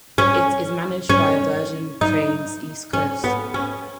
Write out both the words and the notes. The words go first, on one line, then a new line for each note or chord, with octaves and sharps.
It is managed by Virgin Trains East Coast.
C#4
C#4
D#4
C#4
B3
C#4